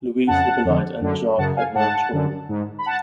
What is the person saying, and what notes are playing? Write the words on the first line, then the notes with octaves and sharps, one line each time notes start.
Louise Hippolyte and Jacques had nine children.
F2 C#3 F#5 A5
F2 D3
F#2 D3
F#2 C#3 F#5 A5
F5 G#5
G#2 F#5 A5
F#2 D3
G#2
B5
F#5 A5